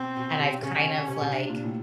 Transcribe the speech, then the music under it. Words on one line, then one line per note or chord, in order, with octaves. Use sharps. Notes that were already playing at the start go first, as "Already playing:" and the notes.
and I've kind of like,
Already playing: B2 C4
B2
C3
C#3 C#4
C3
C#3
C3 D4
A#2
A2